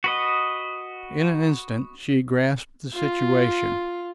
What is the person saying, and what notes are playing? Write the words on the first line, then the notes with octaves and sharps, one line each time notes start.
In an instant she grasped the situation.
F#4 B4 D#5
F4